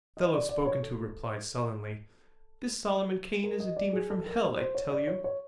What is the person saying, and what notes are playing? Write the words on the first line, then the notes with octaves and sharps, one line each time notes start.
The fellow spoken to replied sullenly, "This Solomon Kane is a demon from Hell, I tell you."
D#5
D5
D5
C#5
A4
A#4
D#5
D5
G#4
A4
A#4
B4
C5
C#5
D5
C#5
C#5